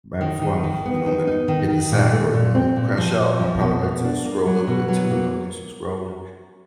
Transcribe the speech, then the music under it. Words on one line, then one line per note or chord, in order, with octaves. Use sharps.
right before I'm you know, I'm gonna hit the sack or, you know, crash out, I probably like to scroll a little bit too, you know, do some scrolling.
D#3
D#3
D#3
B3
D#4
D#4
D#3
D#3
A#2
A3
A#2
C4
A#2
F3
A#2
F3
B2
A#3
D4
A#3
F#3
B2
F#3
A#3